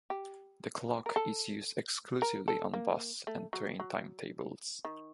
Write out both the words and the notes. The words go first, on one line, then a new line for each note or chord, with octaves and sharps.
The clock is used exclusively on bus and train timetables.
G4
A#4
A4
A#4
A4
A#3
A3
F#3
F#3
D#3